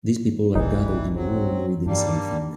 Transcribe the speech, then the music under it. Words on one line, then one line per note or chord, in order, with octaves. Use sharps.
These people are gathered in a room reading something.
F#1 C2 A2 E3 G3 D#4
F#3 C4
G2 G3 A#3 D4